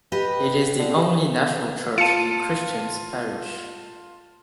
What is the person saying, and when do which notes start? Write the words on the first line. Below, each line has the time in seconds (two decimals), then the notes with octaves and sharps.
It is the only national church in Christians Parish.
0.12 G4 B4 D#5
0.79 D3
1.98 F4 A5 C#7 D#7